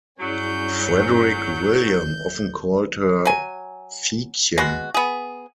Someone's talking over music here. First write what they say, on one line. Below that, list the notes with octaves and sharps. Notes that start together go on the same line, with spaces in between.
Frederick William often called her "Fiekchen".
G2 F#3 C#4 E4 G#4 D5 G6
F#3 G#5
G#3 B3 F#4
B3 G#4